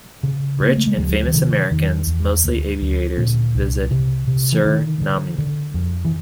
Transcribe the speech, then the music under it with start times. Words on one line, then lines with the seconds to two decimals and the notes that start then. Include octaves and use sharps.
Rich and famous Americans, mostly aviators, visited Suriname.
0.23 C#3
0.60 C#3
0.68 A#3
0.77 A3
0.87 G#3
0.97 D2 F3 G3
1.28 E3
1.33 C3 D#3 F3
1.71 E2 D#3
2.07 E2
2.44 D2
2.81 D2
3.17 A#2 D3
3.54 C2
3.91 C3
4.27 C3
4.52 E3
4.65 D3 D#3
5.01 D3
5.38 D3
5.74 F2
6.05 E3